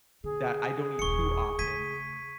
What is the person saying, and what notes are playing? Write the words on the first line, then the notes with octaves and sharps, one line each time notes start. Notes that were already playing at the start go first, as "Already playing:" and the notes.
that I don't eat too often,
D3 G#4
D#1 A#1 C#6 C#7
C#3 A3 G#6 B6 D#7